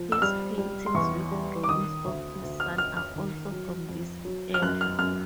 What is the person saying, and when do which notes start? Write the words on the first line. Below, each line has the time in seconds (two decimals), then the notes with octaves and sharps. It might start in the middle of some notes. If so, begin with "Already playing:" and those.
His paintings with drawings of his son are also from this era.
Already playing: F3
0.12 E6
0.22 G3 F6
0.58 G3
0.86 C6
0.95 E2 C#6
1.31 G3
1.64 D6
1.68 D#3 D#6
2.05 D2
2.42 D2
2.60 F6
2.78 D2 F6
2.97 F6
3.16 D#3
3.52 F#3
3.89 F2
4.25 F#3
4.54 F6
4.62 F#2 F#6
4.81 F6
4.99 F#2 F6